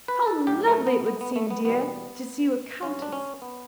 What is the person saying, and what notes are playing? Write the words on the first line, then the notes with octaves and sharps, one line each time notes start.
How lovely it would seem, dear, to see you a countess.'
B4
A4
A2 F#3 G4
A3
B3
B3
B3
A3
B3
E2 B2 G3 B3
G2 F#3 C#4
D4
C#4
B3